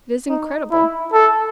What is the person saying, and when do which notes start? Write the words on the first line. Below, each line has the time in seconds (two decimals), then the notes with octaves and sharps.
It is incredible!
0.29 D#4
0.72 E4
1.13 A4